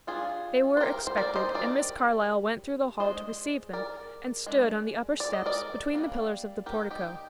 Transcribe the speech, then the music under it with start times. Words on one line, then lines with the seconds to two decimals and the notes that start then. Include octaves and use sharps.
They were expected, and Miss Carlyle went through the hall to receive them, and stood on the upper steps, between the pillars of the portico.
0.07 G3 D4 F4 G#4
0.77 C5
0.80 G4 A#4
1.07 C5
1.17 A#4 D5
1.36 C5 D#5
1.53 G3 D4 A#4 D5
3.00 G#3 D4 C5 D#5
3.73 A#4 D5
4.46 G#3 D4
5.20 D5
5.33 D#5
5.46 A#4 D5
5.93 G3 A#3 D4
6.66 G4 A#4
6.91 D#4 G4